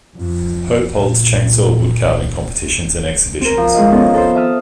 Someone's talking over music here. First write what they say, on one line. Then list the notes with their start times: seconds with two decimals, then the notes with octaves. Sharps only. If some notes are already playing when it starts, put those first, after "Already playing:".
Hope holds chainsaw wood carving competitions and exhibitions.
0.16 F2
0.91 A#2
3.41 C4 A#4
3.58 F3
3.74 G#3 E4 F4 D#5
3.91 D#3 F3 B3 C#4 D#4 A4
4.14 A4 C5
4.35 E5 A5 D#6 F6